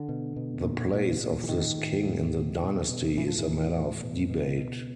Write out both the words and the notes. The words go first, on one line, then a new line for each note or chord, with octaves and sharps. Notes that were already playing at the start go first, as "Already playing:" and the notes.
The place of this king in the dynasty is a matter of debate.
Already playing: D3
B2
B2
A#2
A#2
A#2
E3
A2 D#3
A2
A2
B2
B2
B2
A2 E3
F3
E3
A2
A2
B2
B2
B2